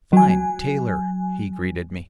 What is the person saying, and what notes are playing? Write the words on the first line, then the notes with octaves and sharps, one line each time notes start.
"Fine, Taylor!" he greeted me.
F#3 G#5